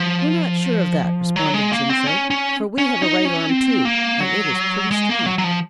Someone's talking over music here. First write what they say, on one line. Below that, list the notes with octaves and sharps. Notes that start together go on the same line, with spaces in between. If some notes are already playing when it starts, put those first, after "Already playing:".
"We are not sure of that," responded Jimfred, "for we have a right arm, too, and it is pretty strong."
Already playing: F3
F#3
G#3
A#3
C4
C#4
C#4
C#4
D#4
C#4
C4
A#3
F#3
G#3
A#3
F#3
F#3
F3